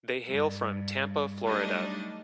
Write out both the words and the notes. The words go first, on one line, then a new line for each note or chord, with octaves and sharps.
They hail from Tampa, Florida.
G2
F#3 G3 A3 D4 D#4 D#5